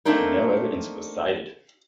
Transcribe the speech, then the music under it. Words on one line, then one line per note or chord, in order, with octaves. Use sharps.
No evidence was cited.
A3 A#3 C4 D4 D#4 A#4